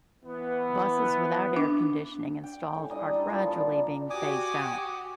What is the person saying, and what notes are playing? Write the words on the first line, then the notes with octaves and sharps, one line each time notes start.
Buses without air conditioning installed are gradually being phased out.
E3 B3
D4
G5
A2 G#5
G3 D4 D#4 D#5
E4 A4
A#2 F3 G3
D4 A#4
F#4 G4 G#5 D6 D#6